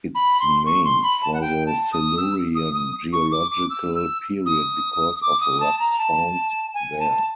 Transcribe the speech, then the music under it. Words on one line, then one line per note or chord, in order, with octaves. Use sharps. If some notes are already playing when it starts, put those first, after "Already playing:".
It's named for the Silurian geological period because of rocks found there.
B5
C6
C#6
C6
B5
A5
F#5
G5
A5
D#6
E6
D#6
D#6
C#6
D6
D6
E6
E6
D#6
D6
D#6
A5
A#5
A5
G#5
A5